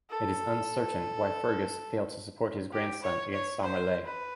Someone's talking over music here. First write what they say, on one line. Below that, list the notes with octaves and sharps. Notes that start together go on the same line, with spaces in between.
It is uncertain why Fergus failed to support his grandson against Somairle.
A4
G4
C#5
C#5
C5
B4